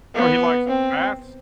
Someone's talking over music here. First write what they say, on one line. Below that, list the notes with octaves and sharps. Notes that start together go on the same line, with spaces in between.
So, he likes baths?
B3
C4